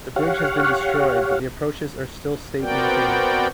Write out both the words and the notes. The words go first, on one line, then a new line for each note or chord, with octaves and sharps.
The bridge has been destroyed, but the approaches are still state-maintained.
G4 C#5 F5 F#5
B3 C4 F#4 A#4 D5 G5